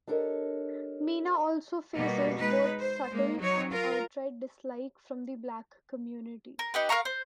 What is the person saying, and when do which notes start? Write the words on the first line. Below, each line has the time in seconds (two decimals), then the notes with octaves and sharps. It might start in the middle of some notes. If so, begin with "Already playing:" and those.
Mina also faces both subtle and outright dislike from the Black community.
0.07 D4 G4 A4 A#4 C#5 D#5
1.94 B2 G3 A#3 B3
2.37 G#3 D#4 B4
2.79 C5
3.11 G#3 A#3
3.39 F#3 D#4 C#5
3.72 F4 A#4
6.59 A#4
6.74 D#4 G4 B4
6.89 A#4 F5 A#5 C#6
7.05 C5